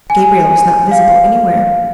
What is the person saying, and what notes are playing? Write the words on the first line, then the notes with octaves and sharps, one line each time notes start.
Gabriel was not visible anywhere.
G#5
F5